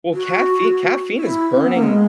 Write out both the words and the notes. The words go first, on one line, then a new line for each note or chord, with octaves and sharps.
Well, caffei caffeine is burning
F#4
E4
C#4
B3
A#3
G#3